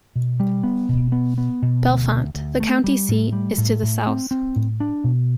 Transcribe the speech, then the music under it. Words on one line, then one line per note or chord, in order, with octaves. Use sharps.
Bellefonte, the county seat, is to the south.
B2
G3
B3
B2
B3
B3
B2
D2
D2
D2
A3
G3
A2
G3
A2
A2
C4
C4
A2
D4
B2